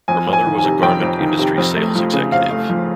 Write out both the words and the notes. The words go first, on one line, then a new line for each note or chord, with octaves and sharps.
Her mother was a garment industry sales executive.
F2 G#5
F2
G#5
D#3
G#5
C3
F2 G5
F2
D#3
C3
F2
A3
F3
C#3
F2 F5
A3
F3